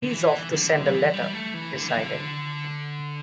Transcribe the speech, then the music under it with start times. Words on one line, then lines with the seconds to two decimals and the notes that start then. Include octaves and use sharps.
"He's off to send a letter," he decided.
0.03 D3
0.11 E3
0.52 D3
0.86 G3
0.93 E3
1.14 G3
1.33 A3
1.54 E3
1.74 D3
1.88 E3
2.01 D3